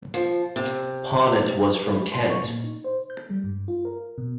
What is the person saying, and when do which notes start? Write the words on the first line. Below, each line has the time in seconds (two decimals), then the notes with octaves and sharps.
Ponet was from Kent.
0.14 F3
0.56 C3
1.89 B5
2.12 C6
2.30 C#6
2.44 A#2
2.64 D#4
2.84 C5
3.10 G6
3.30 G3
3.44 G2
3.68 F4
3.85 A#4
4.18 B2